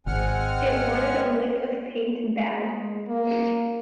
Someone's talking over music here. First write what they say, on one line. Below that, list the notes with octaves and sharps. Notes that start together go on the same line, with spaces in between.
It wanted a lick of paint bad.
G#1 G#3 C4 F#5 G#5 F6
G#3
A#3